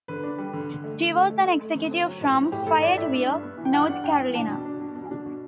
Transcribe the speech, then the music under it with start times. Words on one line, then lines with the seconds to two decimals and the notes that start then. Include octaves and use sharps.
She was an executive from Fayetteville, North Carolina.
0.08 D3 B4
0.23 D4
0.38 G3
0.53 D3
0.69 D3
0.84 A3
0.99 D3
1.14 A3
1.30 A3
1.45 A3
1.61 A3
1.75 D3
1.91 C4
2.06 F#3
2.21 A2
2.36 C4
2.52 A2 G4
2.66 A2 A4
2.82 A2 D5
2.97 A2 E5
3.13 D4
3.27 G2
3.43 B3
3.58 E3
3.65 G5
3.73 G2 F#5
3.89 D4
4.03 G2 G5
4.19 E3
4.35 D4 A5
4.49 B2
4.65 D4
4.80 B2
4.96 B2
5.11 D4
5.26 B2